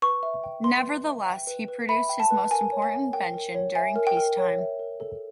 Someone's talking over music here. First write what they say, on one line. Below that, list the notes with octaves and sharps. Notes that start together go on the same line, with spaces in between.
Nevertheless, he produced his most important invention during peace time.
B4 C#6
E5
G5
B4 C6
B4
E5
G5
B4
B4
E5 B5
G5
A5
B4
A#4 G#5
C#5
G#5
E5
A#4 G5
A#4
C#5
E5 G#5
A#4
G5
A#4
C#5
E5
A#4
A4